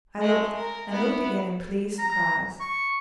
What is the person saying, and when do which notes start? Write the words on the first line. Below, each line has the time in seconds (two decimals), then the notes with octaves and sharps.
I looked, and looked again in pleased surprise.
0.20 G#3 A3
0.56 A#4
0.90 B3 E4
1.99 A#5
2.60 C#6